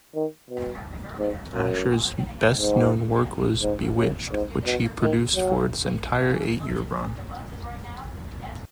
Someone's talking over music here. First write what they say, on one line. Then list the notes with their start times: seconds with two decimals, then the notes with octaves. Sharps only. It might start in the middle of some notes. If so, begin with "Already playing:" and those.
Asher's best known work was "Bewitched", which he produced for its entire eight-year run.
0.15 D#3
0.50 B2
1.19 G#2
1.54 F#2
2.58 G#2
3.62 G#2
3.97 F#2
4.32 G#2
4.66 B2
5.01 D#3
5.35 F#3